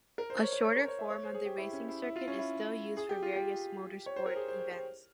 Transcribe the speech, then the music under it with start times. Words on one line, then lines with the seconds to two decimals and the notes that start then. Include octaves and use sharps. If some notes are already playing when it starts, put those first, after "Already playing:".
A shorter form of the racing circuit is still used for various motorsport events.
0.18 A#4
0.30 C5
0.42 C#5
0.53 C#5
0.64 C#5
0.76 A#4
0.88 C#5
0.99 E5
1.11 C#5
1.23 C5
1.34 G#4
1.46 G4
1.58 E4
1.73 C#4
1.88 E4
2.03 E4
2.16 F4
2.28 C#4
2.39 E4
2.97 G#4
3.09 G4
3.22 F4
3.36 G4
4.06 C#5
4.16 C5
4.26 A#4
4.36 G#4
4.48 C5
4.59 C5
4.71 C5